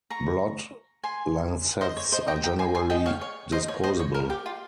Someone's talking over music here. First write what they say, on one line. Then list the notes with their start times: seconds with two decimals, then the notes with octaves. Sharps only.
Blood lancets are generally disposable.
0.10 A#5 C#6
1.04 G#5 C6
1.81 C5 D#5
1.97 C#5
2.12 C5 D#5
2.27 D#5 G5
2.43 G5 A#5
2.59 G#5 C6
2.75 G#5 C6
2.90 D#5 G5
3.06 C#5 F5
3.21 C#5
3.52 C5 D#5
3.68 C#5
3.84 C5 D#5
4.00 C#5
4.14 A#4
4.30 G4
4.46 F4